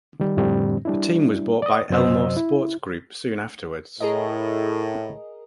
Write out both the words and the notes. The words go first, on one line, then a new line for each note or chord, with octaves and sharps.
The team was bought by Elmore Sports Group soon afterwards.
D#3 G3
F2 A2 D3 G3 C4 D4
G3 D4 E4
D5 D#6
F#2 C3 F#3 C5 D#5 E6
E4
A2 G#4 A#4 D#5